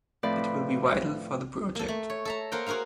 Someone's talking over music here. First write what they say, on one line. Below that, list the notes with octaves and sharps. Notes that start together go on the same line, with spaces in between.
It will be vital for the project.
A2 F3 C4 B4 D5
A#3 A4
A3
C#5
A4 E5 A#5
A#3 A#4 C5 F#5 G5
F#4 G#4 A#4 C5 F5